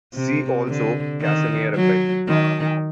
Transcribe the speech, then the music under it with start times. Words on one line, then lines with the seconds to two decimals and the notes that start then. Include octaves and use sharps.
See also Casimir effect.
0.15 C3
0.69 D3
1.21 D#3
1.76 F#3
2.28 D#3